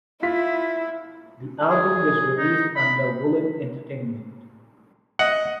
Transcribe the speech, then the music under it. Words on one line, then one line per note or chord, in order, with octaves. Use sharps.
The album was released under Woollim Entertainment.
E4 F4 B6
G#4
D#4
B5
D#5 F#5